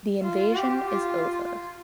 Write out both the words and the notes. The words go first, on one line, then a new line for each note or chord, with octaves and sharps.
The invasion is over.
F4
G4
F4